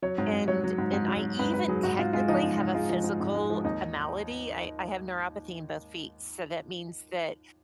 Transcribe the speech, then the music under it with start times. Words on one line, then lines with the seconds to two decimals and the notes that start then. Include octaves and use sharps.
and and I even technically have a physical eh malady. I I have neuropathy in both feet, so that means that,
0.02 F#3 C#5
0.18 G#2
0.33 G#2
0.48 F#3 C#5
0.64 F#3
0.78 G#2
0.93 G#2
1.08 F#3
1.23 F#3
1.39 G#2 B4
1.53 G#2 B4
1.68 F#3 G#4
1.83 G#2 F#4
1.99 G#2 F4
2.13 G#3 F4
2.28 F3 D#4
2.43 G#2
2.59 G#2
2.74 G#3 F4
2.90 F3
3.04 G#2
3.20 G#2
3.35 G#3
3.50 F3
3.64 D#2 D#4